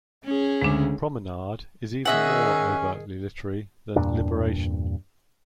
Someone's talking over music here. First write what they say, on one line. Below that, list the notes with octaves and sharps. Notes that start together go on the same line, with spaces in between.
"Promenade" is even more overtly literary than "Liberation".
C#4 G#4
D2 C#3 G#3 D4
D#3 C#4 G#4 D#5 E5 F#5
E2 G2 A#2 D4